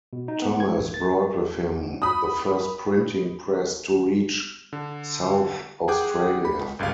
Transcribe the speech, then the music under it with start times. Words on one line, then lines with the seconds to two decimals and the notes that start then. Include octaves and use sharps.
Thomas brought with him the first printing press to reach South Australia.
0.13 B2
0.28 D#4
0.42 B3
0.60 G#6
0.78 A1
0.94 A6
2.02 B5 D#6
4.73 D3
5.88 G#4 F#5 G5 D6 G6
6.45 B5
6.79 G1 C#2 G2 F5